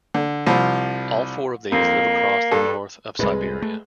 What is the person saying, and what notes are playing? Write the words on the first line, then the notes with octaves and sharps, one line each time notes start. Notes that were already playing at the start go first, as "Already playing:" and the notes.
All four of these live across the north of Siberia.
D3
C2 F3
F2 A#3
G2 A4
C2 A2 G#3 B4
A3